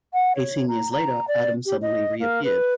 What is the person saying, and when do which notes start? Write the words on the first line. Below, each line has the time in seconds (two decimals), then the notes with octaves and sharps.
Eighteen years later, Adam suddenly reappeared.
0.13 F#5
0.35 C#5
0.68 A#5
0.91 A#5
1.27 D5
1.65 G4
1.81 D#5
2.19 A#3
2.43 B4